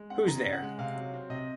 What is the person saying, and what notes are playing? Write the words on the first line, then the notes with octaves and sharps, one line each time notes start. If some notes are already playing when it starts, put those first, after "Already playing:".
Who’s there?
Already playing: G#3
C4 F#5
C#3 A#5
C#3
F#5
G#3
C3 F5
F#3
C4
C3 D#5